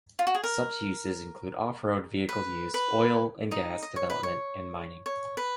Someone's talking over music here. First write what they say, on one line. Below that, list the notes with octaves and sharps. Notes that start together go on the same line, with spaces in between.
Such uses include off-road vehicle use, oil and gas development, and mining.
F4
F#4
G#4
A#4
B4
B4
D#4 D#5
D#5
C#5
B4
C#5
C#5
B4